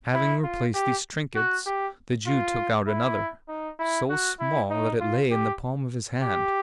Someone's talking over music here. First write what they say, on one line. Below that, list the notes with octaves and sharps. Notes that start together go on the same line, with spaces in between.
Having replaced these trinkets, the Jew took out another: so small that it lay in the palm of his hand.
E4
F4
G4
F#4
G4
F4
E4
D#4
E4
F#4
E4
D#4
F4
G4
G4